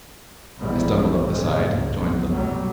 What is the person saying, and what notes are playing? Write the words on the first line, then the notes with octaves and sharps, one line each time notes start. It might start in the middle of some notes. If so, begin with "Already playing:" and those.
I stumbled up the side; joined them.
B1 G#2 C3 E3 G3 B3
G#2 C3 G#3 C#4
G1 C#2 F#2 A2 A#3
B1 F#2 A2 F#3
C2 B2 F#3 G3 A3